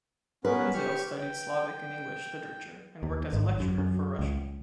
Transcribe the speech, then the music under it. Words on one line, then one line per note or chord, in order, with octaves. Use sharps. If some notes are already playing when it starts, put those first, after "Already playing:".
Wenzel studied Slavic and English literature and worked as a lecturer for Russian.
B3 C#4 A#4 B4
G4 C#6 F6
G5
D#2
G#1
F#2
F#2
C#2